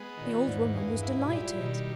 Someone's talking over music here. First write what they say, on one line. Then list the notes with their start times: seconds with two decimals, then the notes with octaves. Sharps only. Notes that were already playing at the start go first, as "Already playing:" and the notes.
The old woman was delighted.
Already playing: G#3 B3
0.18 A#2 D#3
0.46 E2 G#2
0.75 G2 G#3
1.03 G#2 E4
1.25 B2
1.31 A#2 G3
1.60 B2 D#3